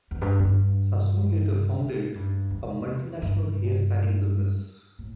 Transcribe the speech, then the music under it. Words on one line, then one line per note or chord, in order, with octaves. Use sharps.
Sassoon later founded a multinational hair styling business.
E2
G2
G2
A2
G2
E2
G2
A2